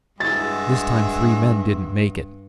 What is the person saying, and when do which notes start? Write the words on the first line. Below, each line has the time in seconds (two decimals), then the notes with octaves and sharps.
This time three men didn't make it.
0.20 G2 G#3 F#4 E5 A6